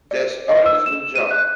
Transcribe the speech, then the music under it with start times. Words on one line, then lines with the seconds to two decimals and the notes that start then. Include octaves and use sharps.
that's starting this new job
0.11 D5
0.48 D#5
0.66 E6
0.86 E7
1.16 D#7
1.31 F#6